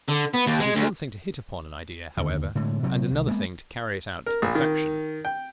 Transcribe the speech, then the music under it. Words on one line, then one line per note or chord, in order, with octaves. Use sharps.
It is one thing to hit upon an idea, however, and another thing to carry it out to perfection.
D3
B3
D#2
G#3
D2
D#2 D3
A2 D3 G#3
C3 F#3 C4
C2
G#3 A#3 B3
A#4
A#1
D#3
G5